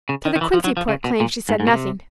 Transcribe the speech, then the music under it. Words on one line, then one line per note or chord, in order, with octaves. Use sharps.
To the Quincy-port claim she said nothing.
C#3
D#3
D#3
E3
F3
F#3
F3
C#3
B2
A#2
G#2
G#2
B2
C3